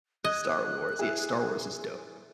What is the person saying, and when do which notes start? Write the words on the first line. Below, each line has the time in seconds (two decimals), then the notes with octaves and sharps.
Star Wars, yeah Star Wars is dope.
0.24 D#5 F#6 G#6
0.99 E4 G#4